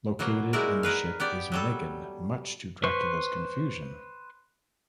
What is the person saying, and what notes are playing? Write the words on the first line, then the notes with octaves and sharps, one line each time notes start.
Located in the ship is Meggan, much to Dracula's confusion.
B2 F#3 A#3
G#3 D#4 E4 F#4 A#4 D5
G#4 A#4 B4 F5
B3 G4 D5
F#3 G3 A4
B4 C5 C#6